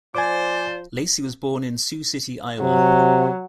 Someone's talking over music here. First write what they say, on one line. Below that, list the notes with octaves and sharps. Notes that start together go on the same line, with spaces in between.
Lacy was born in Sioux City, Iowa.
F3 A#3 C5 D5 G#5 D6
C3 F#3